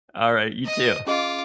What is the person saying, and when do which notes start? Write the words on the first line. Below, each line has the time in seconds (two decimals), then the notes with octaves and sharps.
Alright, you too.
0.65 D#5 D#6
1.06 C#4 F4 G#4 D#5 D6